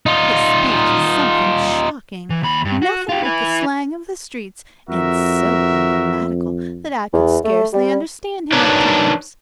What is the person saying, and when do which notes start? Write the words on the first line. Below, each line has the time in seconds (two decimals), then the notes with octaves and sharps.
His speech is something shocking; nothing but the slang of the streets, and so ungrammatical that I could scarcely understand him at times.
0.06 D#4 F4
2.30 E3
2.43 D#2 B5
2.65 G2
2.82 F#4
3.09 F4 G4
3.23 E4 B4
4.89 F2 F#4 A#4 E5
7.13 E2
7.44 A3
7.73 G3
8.52 D4 D#4 A#4 B4 C#5